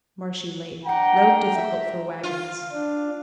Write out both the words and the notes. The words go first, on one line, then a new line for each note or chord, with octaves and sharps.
Marshy Lake.--Road difficult for wagons.
D4 F#5 G5 A#5
E5
F4
D4